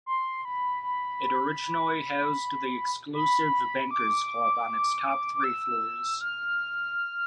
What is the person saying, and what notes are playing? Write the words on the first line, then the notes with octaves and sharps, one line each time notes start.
It originally housed the exclusive Bankers Club on its top three floors.
C6
B5
B5
B5
D6
D6
E6
F6